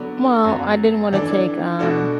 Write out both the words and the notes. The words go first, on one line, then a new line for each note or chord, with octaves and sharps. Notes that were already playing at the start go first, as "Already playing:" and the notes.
Well, I didn't wanna take, um,
Already playing: D3 F#3 B3 F#4 D5
F#2 F#3 B3
E3 D4 A4 D5
B2 A3 D4 F#4 A4